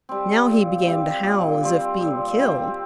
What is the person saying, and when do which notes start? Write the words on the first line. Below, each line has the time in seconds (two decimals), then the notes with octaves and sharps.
Now he began to howl as if being killed.
0.09 G3 C4
0.48 A#2
0.86 G3 C4
1.23 A#2
1.63 G3 C4
2.00 A#2
2.39 G3 C4